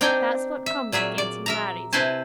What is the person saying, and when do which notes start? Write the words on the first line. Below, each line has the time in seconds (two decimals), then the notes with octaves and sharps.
That's what comes of getting married.
0.01 C4 D4 D#4 G5 G#5
0.66 E5
0.92 A#2 F#3 G#4 E5
1.18 D5
1.46 A#4 E5 A#5
1.93 C3 E4 B4 C5 G#5 A5